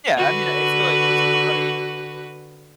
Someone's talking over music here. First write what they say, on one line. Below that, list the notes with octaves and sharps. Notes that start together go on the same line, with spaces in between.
Yeah, I mean I feel, like, if somebody's,
D3 F#4 B4